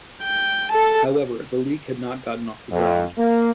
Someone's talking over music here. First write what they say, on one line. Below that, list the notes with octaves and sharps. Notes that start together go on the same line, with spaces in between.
However, the league had not gotten off the ground.
G5
A4 A5
F2
A#3